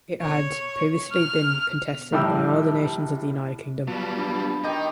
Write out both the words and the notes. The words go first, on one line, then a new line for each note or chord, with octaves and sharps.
It had previously been contested by all the nations of the United Kingdom.
C#5
F6
A#1 A2 G3 G5 E6
F#3 G3 B3 F4 A5
D4 B5
D#3 D#4 G4 D#5